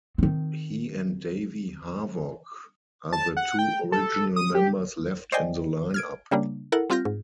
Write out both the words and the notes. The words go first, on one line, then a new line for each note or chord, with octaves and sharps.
He and Davey Havok are the two original members left in the lineup.
D#3 C4
A5
F#5
G5
A4
D#6
G4
C5 D5 D#5 G5 G#5
F6 G#6 D7
C#3 G3 A#3 D4
E4 A4 A#4 F#5
G3 C4 F4 F6 G6 A#6
G#2